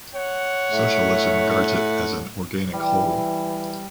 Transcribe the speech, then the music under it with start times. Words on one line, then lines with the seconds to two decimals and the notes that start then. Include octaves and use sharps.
Socialism regards it as an organic whole.
0.15 C#5 F#5
0.72 A2 E5
2.73 E3 G3